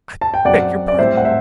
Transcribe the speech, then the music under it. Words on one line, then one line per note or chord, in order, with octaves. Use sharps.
I beg your pardon.
A5
G5
F#2 F#3 C4 D5 F#5
D5
A2 G3 C4 C5 E5
F#5
C5 E5